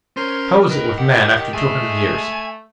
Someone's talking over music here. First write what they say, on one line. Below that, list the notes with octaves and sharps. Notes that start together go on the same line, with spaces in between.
How is it with man after two hundred years?
C#4 A#4 C5
D#3 A#4 B4
G4 F#5
G#3 A3 G#5